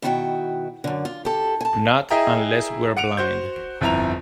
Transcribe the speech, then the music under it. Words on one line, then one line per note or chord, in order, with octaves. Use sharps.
Not unless we're blind.
B2 D#3 E4 F#4 A#4 G5
F#2 D3
F4
G4 A4
G#5 A5
E4 G#4 D#5 E5 G5 A#5
F#5 C#7 D7 F7
F#4 C5 G6
G1 F2 E4 A#5 F7